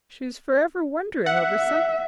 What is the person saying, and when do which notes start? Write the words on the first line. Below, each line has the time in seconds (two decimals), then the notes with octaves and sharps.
She was forever wondering over something.
1.26 E5 F#5